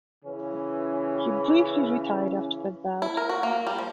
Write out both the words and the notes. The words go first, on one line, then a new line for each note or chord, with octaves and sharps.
He briefly retired after that bout.
C#3 E3 C#4
E4
A#4
F#4
A#3
G3
F3